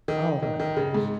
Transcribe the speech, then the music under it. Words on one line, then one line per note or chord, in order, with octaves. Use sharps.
Oh my gosh.
D#3
D#3
D#3
C#3
G#2